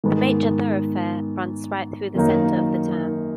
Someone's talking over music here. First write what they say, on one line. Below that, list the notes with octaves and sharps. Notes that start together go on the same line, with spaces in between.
The major thoroughfare runs right through the center of the town.
G#2 D#3 G#3 B3
F#2 D#3 A#3 D#4